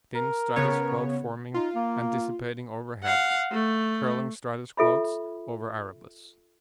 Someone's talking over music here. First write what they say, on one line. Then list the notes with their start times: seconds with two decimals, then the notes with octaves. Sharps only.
Thin stratus cloud forming and dissipating overhead, curling stratus clouds over Erebus.
0.15 A#4
0.56 C#3 B3 C#5
1.54 D#4 F4
1.75 A#3
3.03 F5 F#5
3.52 A3
4.77 F4 A4 E5 B5